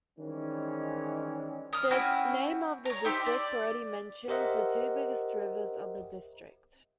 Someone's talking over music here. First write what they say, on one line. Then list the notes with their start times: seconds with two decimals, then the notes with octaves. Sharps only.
The name of the district already mentions the two biggest rivers of the district.
0.19 D#3 E3 G3 G#3 C4 C#4
1.73 D#6 F6
1.91 C4 C#4 E4 F#4
2.85 C#5 A#5
3.05 D#4 G4 C5 E5
3.26 D5
4.28 G4 A#4 C5 D#5 E5 F#5